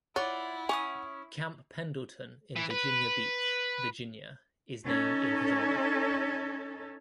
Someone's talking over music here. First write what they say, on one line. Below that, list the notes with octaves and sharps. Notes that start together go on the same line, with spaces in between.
Camp Pendleton in Virginia Beach, Virginia, is named in his honor.
E4 F4 C#5 D5 F#5
C#4 G#5 D6 D#6
E3
B4
C#4 D#4 A4